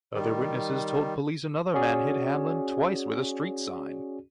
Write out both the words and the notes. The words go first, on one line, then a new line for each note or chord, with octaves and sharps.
Other witnesses told police another man hit Hamlin twice with a street sign.
D#3 G3
C#4 F#4 G#4 D5